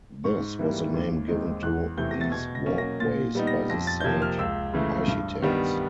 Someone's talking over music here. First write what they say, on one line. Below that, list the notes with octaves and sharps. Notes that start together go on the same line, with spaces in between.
This was the name given to these walkways by the site architects.
G#2 C#6
E3 G3 A#3
D#2
D#3 G#3 C4 D#4
E2 F#6
C3 E3 A3 G6
A#6
A6
B2 G#6
A#6
F#3 A#3 C#4
A#6
A#2 A6
G3 B3 D#4
A#6
F2 A#6
A6
G6
C3 F3 A#3 G#6
F6
C#2 E6
C#3 E3 A3
G2
D#3 G3 B3 D4